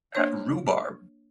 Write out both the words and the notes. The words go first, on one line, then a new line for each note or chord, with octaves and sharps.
At Rhubarb!
A#3 D4 C5 C#5